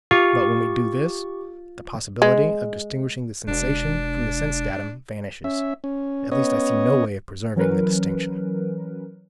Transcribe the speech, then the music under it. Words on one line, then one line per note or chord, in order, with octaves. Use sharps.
But when we do this, the possibility of distinguishing the sensation from the sense-datum vanishes; at least I see no way of preserving the distinction.
F4 G4 C#6
G#3
E1 D4
C#4 E5
C#4
B3 C#4 C#5 D#5
E3 F#3 C#4 A#4 B4